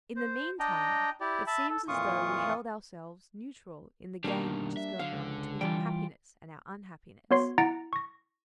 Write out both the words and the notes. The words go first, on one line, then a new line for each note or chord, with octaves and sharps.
In the meantime, it seems as though we held ourselves neutral in the game which is going on between our happiness and our unhappiness.
C5
D4 D#5 G5 A#5
E4 G4 D5
E5 A5 B5
A4
F2 A#2 E3 F4 C#6 D#6
B2 D#3 G3 A#3 D4 A#5
E5
D3 F5
C#2
E3 G3 F4 G5
B3 F#4 C#5 C6 C7
E4 F#5 A#5 A6 A#6 D7
C#6 A#6